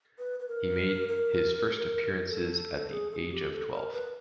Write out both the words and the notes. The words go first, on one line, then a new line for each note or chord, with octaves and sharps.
He made his first appearances at the age of twelve.
B4
B4
A#4
A#4
A4
G#4
A4
G#4
G4
A4
A#4
B4